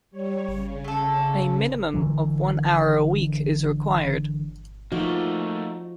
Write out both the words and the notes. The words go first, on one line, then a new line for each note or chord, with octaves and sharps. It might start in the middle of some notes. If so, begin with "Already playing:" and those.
A minimum of one hour a week is required.
G3 C#5
C#3
A3 A4
D3 E3 F#3
F3 A3 A#3 D#4 F#4